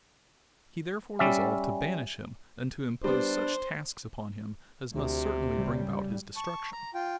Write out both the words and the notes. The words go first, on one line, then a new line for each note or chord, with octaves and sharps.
He therefore resolved to banish him and to impose such tasks upon him as must certainly bring about his destruction.
G3 C#4 D5 E5
G3 B3 D4 C5
D2 C3
C#3 G3
A5 C#6
A#5
F4 G5